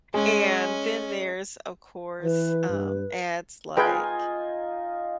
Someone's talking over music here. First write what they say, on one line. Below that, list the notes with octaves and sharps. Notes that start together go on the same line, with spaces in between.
And then there's, of course, um, ads like,
G#3 C#4 G#5
E3 B4
G2
D#4 F4 G#4 B4 G5 G#5